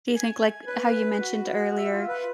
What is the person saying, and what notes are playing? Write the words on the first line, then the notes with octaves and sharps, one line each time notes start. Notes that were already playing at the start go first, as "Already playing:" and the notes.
Do you think like, how you mentioned earlier,
G#5
B4
F#4
E5
F4
B4